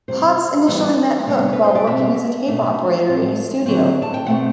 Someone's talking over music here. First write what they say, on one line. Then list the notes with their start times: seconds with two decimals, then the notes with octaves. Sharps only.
Potts initially met Hook while working as a tape operator in his studio.
0.08 C3 G3 C4 C5
0.68 E3 G3 B3 D4
1.27 C3 G3 B3 D4
1.53 B4
1.64 C5
1.75 D5
1.87 B2 G3 C4 E5
2.47 B2 A3 D4
3.07 A2 G3 C4
3.66 D3 F#3 C4
4.02 A5
4.14 G5
4.26 B2 A3 C4 F#5